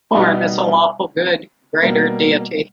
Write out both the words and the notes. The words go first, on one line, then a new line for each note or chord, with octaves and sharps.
Torm is a Lawful Good greater deity.
B2 G3 B3 D#4
B2 G3 A#3